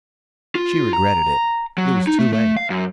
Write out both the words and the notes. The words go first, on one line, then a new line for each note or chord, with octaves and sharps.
She regretted it. It was too late.
F4
A#5
F#3
D#4
A3
A3
F5
F#2